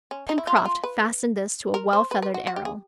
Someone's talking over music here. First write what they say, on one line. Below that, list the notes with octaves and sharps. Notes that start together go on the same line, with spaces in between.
Pencroft fastened this to a well-feathered arrow.
C#4
D#4
E4
F4
E4
F4
B4
A#4
C5
B4
B4
F#4
F#4
G4
G#4